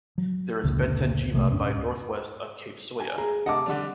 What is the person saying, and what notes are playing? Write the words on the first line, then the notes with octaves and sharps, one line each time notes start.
There is Benten-jima by northwest of Cape Soya.
F#3
F1 C#2 A#2 D3
B1 C3 E3 A3
D1 G2 C#4 D4
G#5
G#4 A#5
C3 D#5 F#5 A5 D6
D3 G3 D4